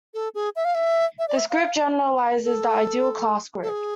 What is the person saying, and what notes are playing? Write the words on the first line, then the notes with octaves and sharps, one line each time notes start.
This group generalises the ideal class group.
A4
G#4
E5
F5
E5
E5
D5
E5
F5
A4
A4
G#4